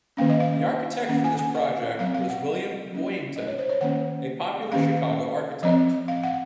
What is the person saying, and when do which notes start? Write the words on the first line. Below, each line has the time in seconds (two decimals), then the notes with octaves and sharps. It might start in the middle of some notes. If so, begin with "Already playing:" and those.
The architect for this project was William Boyington, a popular Chicago architect.
0.17 D#3 A#3 C#4 F5
0.30 D#5
0.40 F5
1.09 D#3 A#3 C#4 F#5
1.24 G#5
1.39 G#5
1.54 F#5
1.99 F#3 C4 F5
2.14 F5
2.30 F#5
2.90 F#3 A#3 C#4
3.36 D#5
3.47 C#5
3.58 C5
3.69 C#5
3.81 D#3 A#3 C#4 F#5
4.72 D#3 A#3 C#4 F5
5.62 F3 C4 D#5
6.08 F5
6.23 F#5